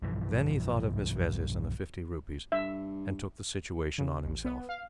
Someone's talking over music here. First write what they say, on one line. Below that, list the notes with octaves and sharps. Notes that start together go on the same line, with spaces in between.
Then he thought of Miss Vezzis and the fifty rupees, and took the situation on himself.
B1 G2 E3 F3
G2 E5
C#3
A1
B3
F5